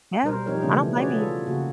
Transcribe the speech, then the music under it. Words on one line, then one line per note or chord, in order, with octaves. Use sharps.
Yeah. I don't blame you.
B2 G3 A#4 C5
F3 C4 D#4 G4 A#4 C#5
C#3 E3 A3 B3 C#4 D4
F#4 G#4 B4 C#5 D5
C#4 F4 A4
C#3 A#3 F#4